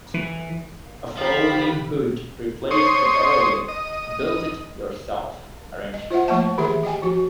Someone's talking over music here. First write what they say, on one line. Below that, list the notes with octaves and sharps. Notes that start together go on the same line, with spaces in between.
A folding hood replaced the earlier "build it yourself" arrangement.
E3
F3 F4 G4 B5
C5 C#5 D#6
D#5
D#5
F4 C5 E5 F#5
F3 A3 A#3 F#5 A5
D#3 E3 G4 G#4 E5
G4 D#5 G5 G#5
F3 F#4